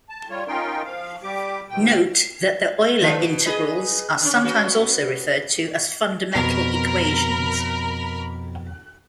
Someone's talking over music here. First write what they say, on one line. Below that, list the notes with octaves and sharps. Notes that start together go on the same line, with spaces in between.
Note that the Euler integrals are sometimes also referred to as fundamental equations.
A5
G3 F4 C#5
C#4 D#4 F4 A#4 G5 C6
F3 F5
G3 G4 D6
D#2 B2 G5
D#3 F3 A3
B2
G#4 B4 D#5
D3 C#4
B3 C#4 F#4
F2 B2 A#4 B5